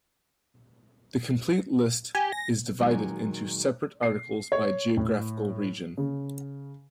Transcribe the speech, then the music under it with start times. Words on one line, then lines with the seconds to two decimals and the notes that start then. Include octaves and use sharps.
The complete list is divided into separate articles by geographical region.
2.15 G4 G#5
2.32 A#6
2.79 A#2 D#3 F#3 G#3 G#5
4.03 C7
4.52 C#5
4.97 A2
5.97 C#3